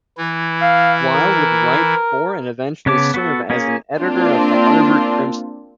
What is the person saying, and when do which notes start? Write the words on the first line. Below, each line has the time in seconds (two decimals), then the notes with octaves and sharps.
Weil would write for and eventually serve as an editor of the Harvard Crimson.
0.17 E3 E4
0.61 F5
1.13 A#4
2.86 C#3 B3 C#5 A5 D6
3.14 B3 F#4 A4
3.50 A#3 C#4 G#4
4.00 A#3 C4 D4 F4